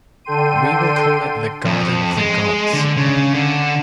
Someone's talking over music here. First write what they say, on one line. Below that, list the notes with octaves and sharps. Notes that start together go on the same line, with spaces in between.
We will call it the Garden of the Gods.
D3 A4 G5 C6 D#7
F2
G#3
D3
C#3
D3